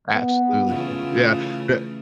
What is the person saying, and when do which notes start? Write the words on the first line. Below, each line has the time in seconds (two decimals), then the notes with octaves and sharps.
Absolutely, yeah, bu
0.14 B3
0.67 C#3 E3 A3 F4